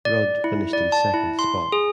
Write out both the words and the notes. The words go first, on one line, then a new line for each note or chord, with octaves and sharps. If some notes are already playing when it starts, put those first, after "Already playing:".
Rudd finished in second spot.
D5
E4
D5
A5
E4
C6
G#4